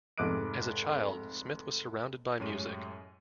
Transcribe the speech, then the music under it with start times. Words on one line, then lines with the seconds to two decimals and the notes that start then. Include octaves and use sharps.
As a child, Smith was surrounded by music.
0.18 F1 G#2 D6 F#6 D7
2.40 F#2 A2 G#3 C#4 G4 D#7